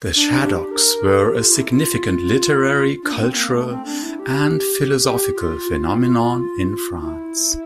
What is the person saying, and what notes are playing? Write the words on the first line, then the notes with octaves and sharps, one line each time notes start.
The Shadoks were a significant literary, cultural and philosophical phenomenon in France.
D4
G4
A#4
A4
G4
F4
F4
E4
F4
D4
A#3
C4
A#3
A3
C4
D4
E4
G4
G4
F4
F4
E4